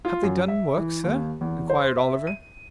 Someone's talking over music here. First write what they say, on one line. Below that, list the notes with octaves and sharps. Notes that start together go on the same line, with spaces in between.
'Have they done work, sir?' inquired Oliver.
F4
F#2
E5
E3
D#2
E2
C5
E5
D#7